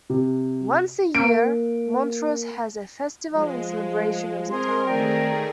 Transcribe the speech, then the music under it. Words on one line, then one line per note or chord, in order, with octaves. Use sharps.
Once a year, Montross has a festival in celebration of the town.
C3
A#3 D7
F3 G#3
C4 G#4 A#4 C6
D#3 A3 G#4 A#4 D5 G5